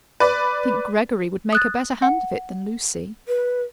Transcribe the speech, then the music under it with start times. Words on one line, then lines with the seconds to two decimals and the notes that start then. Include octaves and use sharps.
"I think Gregory would make a better hand of it than Lucy."
0.20 B4 D5
1.53 D#6 F#6 A6
2.02 F#5
3.28 B4